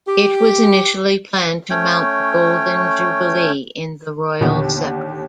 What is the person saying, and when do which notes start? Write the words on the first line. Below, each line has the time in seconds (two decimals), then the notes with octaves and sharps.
It was initially planned to mount the Golden Jubilee in the royal sceptre.
0.07 G4
1.70 A3 C#4 C#5 G5
4.41 D#2 A#2 D3 E3 B3